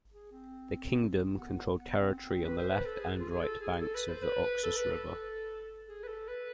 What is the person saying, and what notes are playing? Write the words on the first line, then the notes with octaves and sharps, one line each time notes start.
The kingdom controlled territory on the left and right banks of the Oxus River.
G#4
C4
B3
B3
C4
C4
C4
B4
C5
B4
A4
G#4
F4
G#4
A4
G#4
A4
B4
C5
B4
A4
B4
A4
G#4
B4
A4
B4